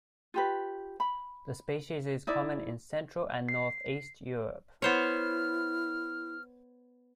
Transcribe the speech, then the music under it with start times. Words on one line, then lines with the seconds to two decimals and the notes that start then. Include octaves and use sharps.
The species is common in central and northeast Europe.
0.34 F4 G4 B4
1.00 B5
2.27 D#4 E4 D5
3.49 C7
4.82 B3 E4 C5 C#5 F6